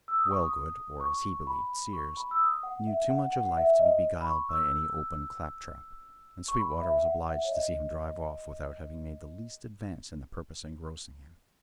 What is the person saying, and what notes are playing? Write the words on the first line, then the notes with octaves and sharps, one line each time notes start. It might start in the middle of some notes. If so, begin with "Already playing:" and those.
Wellgood, or, as he believed, Sears, knew too much of life to be beguiled by any open clap-trap, and Sweetwater was obliged to see him drive off without having made the least advance in the purpose engrossing him.
E6
D#6
C#6
D#6
C#6
B5
C#6
B5
E6
D#6
F#5
E5
F#5
F#5
F#5
E5
D#5
B5
C#6
E6
C#6
B5
E5
F#5
F#5
E5
C#5
D#5